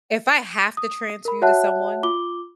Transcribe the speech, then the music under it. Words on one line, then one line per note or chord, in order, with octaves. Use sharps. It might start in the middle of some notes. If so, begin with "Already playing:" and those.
if I have to transfer you to someone,
D#6
A#4 B5
F#4 C#5 E5 F#5 A5 F#6
F4 D6 G7